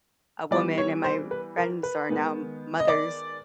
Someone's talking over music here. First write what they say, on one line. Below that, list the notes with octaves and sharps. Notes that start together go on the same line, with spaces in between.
a woman and my friends are now mothers,
E3 G3 B3 D5
C#5
C5
B4
A#4
B4
D#3 G#3 B3
D#5
D5